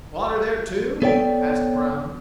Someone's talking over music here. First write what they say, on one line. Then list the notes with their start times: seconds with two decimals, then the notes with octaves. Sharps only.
"Water there, too?" asked Brown.
1.02 B3 A4 C#5 D5 G5